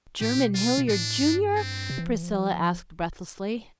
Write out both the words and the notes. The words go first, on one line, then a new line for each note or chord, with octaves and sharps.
"Jermyn Hilliard, Junior?" Priscilla asked breathlessly.
A2 G4
B2
F4
B2
A2 D4
G2
C4
C3
E3
F3
E3
F3